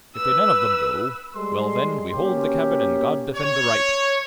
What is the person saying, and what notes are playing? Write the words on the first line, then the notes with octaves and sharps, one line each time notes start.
If they none of them go, well then, we hold the cabin, and God defend the right.
B4 E6
G3 G#3 A4 C6
B2 A#3 C#4 G4
C#5